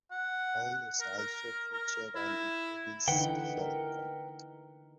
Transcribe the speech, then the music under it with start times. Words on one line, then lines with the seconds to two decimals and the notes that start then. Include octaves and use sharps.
Haun is also featured on the movie's soundtrack.
0.11 F#5
1.01 A#4
1.18 A#4
1.73 A#4
2.16 E4
3.08 D3 E3 D#4 B4 F#5 G5
3.57 A#4